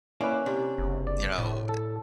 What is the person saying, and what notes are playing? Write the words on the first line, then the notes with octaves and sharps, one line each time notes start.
you know,
A#3 C#4 E4 B4 D5
C3 D4
F#1
D5
A2
A4